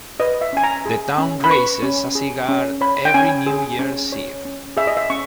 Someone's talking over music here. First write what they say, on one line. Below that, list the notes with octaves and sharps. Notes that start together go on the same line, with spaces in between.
The town raises a cigar every New Year's Eve.
B4 D#5
E5
C#4 G#5
A#5
G#4
C#4
B5
B4 C#6
C#4
G#4
C#4
C#5 B5
G5
C#4 G#5
G#4
C#4
C#5
C#4
G#4 E5
D#5
E5
C#4 C#6